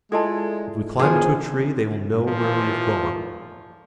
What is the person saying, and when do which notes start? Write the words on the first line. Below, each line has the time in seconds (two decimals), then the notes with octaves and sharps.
If we climb into a tree they will know where we have gone.
0.12 G#3 E4 F4 A4 D5 D#5 A5
0.99 B2 F3 D4 G#4 A#4 C5
2.26 D#2 A#2 E3 F3